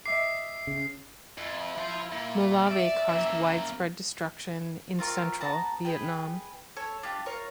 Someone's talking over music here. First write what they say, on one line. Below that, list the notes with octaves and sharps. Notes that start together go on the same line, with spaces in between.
Molave caused widespread destruction in Central Vietnam.
D#5 E5 D6 C7
C#3
F2 E4
F3 C5
A#2
D5 E5
C#3 A#3
C4 F4 A#4 C#6
B3 F#4 A5 A#5
G#4 B4 G5
A4 C#5
D4 F4 G4
F4 A#4 C#5